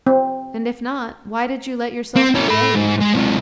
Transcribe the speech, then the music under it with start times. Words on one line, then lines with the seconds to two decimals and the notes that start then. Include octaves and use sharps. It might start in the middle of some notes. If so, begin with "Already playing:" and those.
'And if not, why did you let yourself be buried?'
0.07 C4
2.16 C4
2.35 C#4 E4
2.48 A4 B5
2.75 G#2
3.00 G#3
3.14 C3 G#3